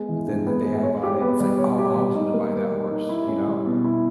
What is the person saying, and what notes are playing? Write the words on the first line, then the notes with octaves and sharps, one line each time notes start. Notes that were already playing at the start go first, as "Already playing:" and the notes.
but then, the day I bought it, it's like, "Oh, I was gonna buy that horse," you know?
Already playing: G#3 B3
E3
G2
B3
G#3
C#5
G4
B3
G3
C#5
G4
G3
D#4
A#3
G3
G3
D#4
E4
C#4
G3
B2
E4